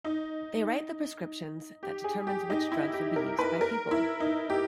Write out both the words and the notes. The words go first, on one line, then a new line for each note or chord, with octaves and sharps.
They write the prescriptions that determine which drugs will be used by people.
D#4
G4
G#4
G4
D#4
E4
G4
A#4
B4
A#4
E4
D#4
G4